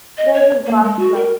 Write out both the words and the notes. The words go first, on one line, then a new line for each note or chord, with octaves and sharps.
There is a golf club.
D#5
C#5
A#3
G#3
F#4
A#4